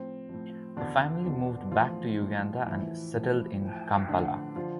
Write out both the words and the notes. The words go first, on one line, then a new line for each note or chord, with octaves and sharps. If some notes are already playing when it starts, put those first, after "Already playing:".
Her family moved back to Uganda and settled in Kampala.
Already playing: A2 F3 C4
A2 F3
E2 B2 D3 D4
E2 B2
A2 E3 F3 F4
A2 E3
A2 E3 F3 E4
A2 F3
A2 F3
A2 D3 F3 D4
D3 F3 F4